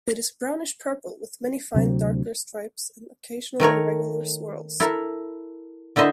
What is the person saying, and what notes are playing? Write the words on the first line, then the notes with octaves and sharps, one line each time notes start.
It is brownish-purple with many fine darker stripes and occasional irregular swirls.
D2 C3 F#3 C4
D#3 A3 A#4 C#5
E4 A4 A#4
D3 E4 C5 D#5 E5